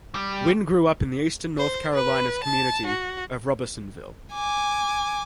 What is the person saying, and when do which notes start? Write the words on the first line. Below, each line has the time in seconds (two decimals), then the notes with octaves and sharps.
Wynn grew up in the Eastern North Carolina community of Robersonville.
0.15 G3
1.57 C5
1.93 B4
2.44 A5
2.86 F#4
4.33 G#5 D6